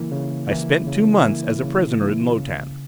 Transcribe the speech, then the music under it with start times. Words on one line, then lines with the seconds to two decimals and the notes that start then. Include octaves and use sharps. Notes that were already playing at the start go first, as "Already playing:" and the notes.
I spent two months as a prisoner in Lo-Tan.
Already playing: C#3 E3 A#3 E4
0.12 C#3
0.49 E3 A#3 E4
0.86 C#3
1.24 E3 A#3 E4
1.62 C#3
1.99 E3 A#3 E4
2.37 C#3